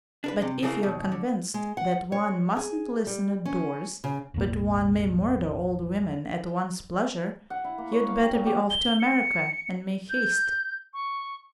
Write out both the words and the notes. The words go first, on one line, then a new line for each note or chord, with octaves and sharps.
But if you are convinced that one mustn't listen at doors, but one may murder old women at one's pleasure, you'd better be off to America and make haste.
D4 A#4 B4
C3
C#3 E3 F#3 A3 A#3
D#2 B2
D3
G#3
F#5
C#5
G#4
G3
C#4
C#3
E1 A1 A#3
F#5
E4
A#3
C#5
F5
G5
A#2
G4
G7
C#7
G6
C#6